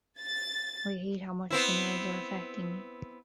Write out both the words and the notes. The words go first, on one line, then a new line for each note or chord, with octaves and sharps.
I hate how much the nerves are affecting me.
A6
B3 C4 E4